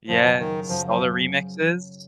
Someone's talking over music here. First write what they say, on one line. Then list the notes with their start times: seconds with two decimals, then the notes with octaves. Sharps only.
Yes, all the remixes.
0.08 F#2 C#3 F3 F#3
0.39 D#3
0.68 F#2 C#3 F3 F#3
0.88 F3